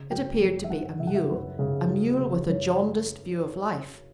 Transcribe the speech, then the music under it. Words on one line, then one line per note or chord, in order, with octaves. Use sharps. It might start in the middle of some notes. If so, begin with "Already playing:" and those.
It appeared to be a mule--a mule with a jaundiced view of life.
Already playing: C#3
F#3 G5
F#2
E5
F#2 F#5
C#3 E5
F#5
E5
F#2 B4
C#3
F#3
C#3
F#2 C#5